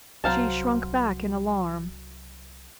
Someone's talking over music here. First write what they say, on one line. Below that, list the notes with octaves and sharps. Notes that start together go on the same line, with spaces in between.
She shrunk back in alarm.
C2 F#3 F#4 C5 F5 A5 A#5